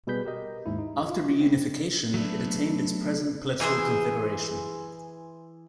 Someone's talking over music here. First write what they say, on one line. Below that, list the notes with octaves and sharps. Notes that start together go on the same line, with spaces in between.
After reunification it attained its present political configuration.
B2 G3 G#4 B4 G6 B6
G4 A#4 D#5
D#2 G#2 E4
D#4
E4 F4
C4
F#3 A3 B3 D4
E3 G#4 A#4 C5